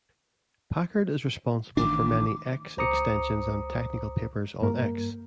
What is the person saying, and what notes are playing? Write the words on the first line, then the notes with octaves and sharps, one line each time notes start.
Packard is responsible for many X extensions and technical papers on X.
A1 D#3 D4 D6
C#2 C5 A#5 D6 D#6 C#7
G2 A#3 A#4